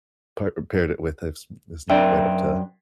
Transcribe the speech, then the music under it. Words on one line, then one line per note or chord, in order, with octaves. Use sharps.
pa uh, paired it with is is not quite up to
F#2 C4 D4 A#4 E5 G5